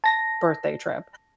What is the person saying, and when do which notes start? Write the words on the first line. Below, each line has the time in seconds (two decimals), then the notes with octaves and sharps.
birthday trip
0.04 A5 A#6